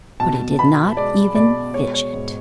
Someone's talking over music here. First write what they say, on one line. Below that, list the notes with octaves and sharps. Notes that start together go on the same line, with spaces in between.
But he did not even fidget.
B2 A5
B3 B5
G#3 D5
B2 D5
G#3 C#5
C#5
G#2